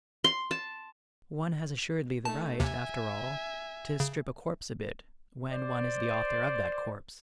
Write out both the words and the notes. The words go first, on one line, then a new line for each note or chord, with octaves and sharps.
One has assuredly the right, after all, to strip a corpse a bit when one is the author of that corpse.
C6
A5
A3 D#4 A5
D#2 C3 E5 G#5
C#3
C5 D5